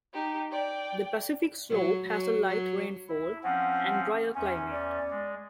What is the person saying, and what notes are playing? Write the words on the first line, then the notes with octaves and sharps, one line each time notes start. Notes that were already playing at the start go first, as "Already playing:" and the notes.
The Pacific slope has a light rainfall and dryer climate.
D#4 G4
D5 G5
F#3
F#3
F#3
E4
F3 C4 C#4 F#5
E2 C#4 G#5
D5
G#3